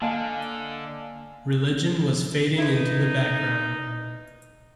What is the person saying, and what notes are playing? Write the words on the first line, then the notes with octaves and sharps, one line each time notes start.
Religion was fading into the background.
D3 A#3 D#5 F5 G#5 A5
D#4 E4 B4